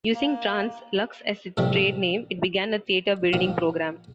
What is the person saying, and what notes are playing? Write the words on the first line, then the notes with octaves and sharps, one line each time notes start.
Using Trans-Lux as its trade name, it began a theater-building program.
A#3
A2 C3 D#3 F3 G3 A3
A#2 D#3 F3 D#4